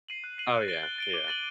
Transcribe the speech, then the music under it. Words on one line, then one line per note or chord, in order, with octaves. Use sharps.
Oh, yeah. Yeah.
C7 D#7 F#7
F#6
C7 D#7 F#7
F#6
A6 D7 G7
F#6
A6 D7 G7
D6
A6 D#7 F#7